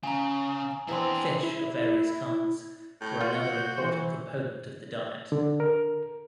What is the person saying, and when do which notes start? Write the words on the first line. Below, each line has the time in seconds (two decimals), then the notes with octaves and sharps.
Fish of various kinds were another important component of the diet.
0.04 C#3 G#5 A#5
0.89 E3 C4 D4 E4 G#4 A#5 C6
1.43 E4
3.01 A2 G6
3.21 F4 F#4
3.78 E3 C5
5.32 D3
5.60 A#4